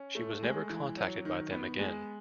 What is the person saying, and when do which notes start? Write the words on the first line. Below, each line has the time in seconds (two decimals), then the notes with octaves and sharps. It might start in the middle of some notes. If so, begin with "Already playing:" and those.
She was never contacted by them again.
Already playing: C#4
0.15 A3
0.43 G#3
0.70 E3
0.97 F#3
1.25 D#3
1.52 B3
1.79 G#3